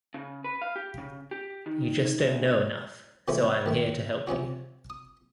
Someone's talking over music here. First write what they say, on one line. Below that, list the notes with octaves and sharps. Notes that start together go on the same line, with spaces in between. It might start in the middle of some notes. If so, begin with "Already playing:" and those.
You just don't know enough, so I am here to help you.
C#3
B4
F5
G4
C#3
G4
D#3
D2
C3 E3 F3 G#3 A3 C#4
D2 D#3 A3
C3 F3 C#4 F#4
D#6